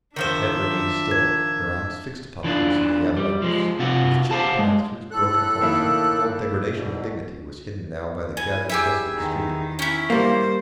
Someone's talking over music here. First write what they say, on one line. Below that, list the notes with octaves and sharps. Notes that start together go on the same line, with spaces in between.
Her head remained still, her eyes fixed upon the house of the Avellanos, whose chipped pilasters, broken cornices, the whole degradation of dignity was hidden now by the gathering dusk of the street.
D#3 F3 D4 C5 E5
G#6
E3 D4 F4
G3
F3 G#3
C3 F4 F#4
G4 C5 F5 F#5 A5
G#3
A2 A4 F#6
D#3 A#3 E4
E2 G#2 B2
E4 G#5
G4 G#4 E5
E2 D#3
C#4 E4
G3 A#3 C5